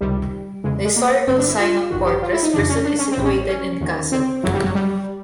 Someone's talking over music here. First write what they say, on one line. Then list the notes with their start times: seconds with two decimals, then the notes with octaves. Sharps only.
The historical Sinop Fortress Prison is situated in the castle.
0.01 C#2 C3 D#3 G3
0.64 E2 C#3 E3 G#3
0.85 G#3
0.96 A#3
1.27 G1 G2 D3 C4
1.38 D4
1.48 E4
1.59 F4
1.90 A1 G2 D#3 F#4
2.06 G4
2.22 F4
2.33 E4
2.43 D#4
2.54 F2 C#3 E3 D4
2.69 C#4
2.85 D4
2.99 C#4
3.11 C4
3.17 A1 A2 E3
3.24 C#4
3.49 C#4
3.81 D#2 D#3
4.12 C4
4.43 G1 F#2 C#3 E3 F#3
4.54 G3
4.64 F#3
4.75 G3